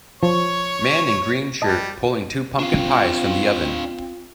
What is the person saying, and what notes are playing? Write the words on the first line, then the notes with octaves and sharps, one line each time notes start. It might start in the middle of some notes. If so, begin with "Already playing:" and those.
Man in green shirt pulling two pumpkin pies from the oven.
F3 C#5 C#6
G3 D#5 A5
C4 D4 F4 F5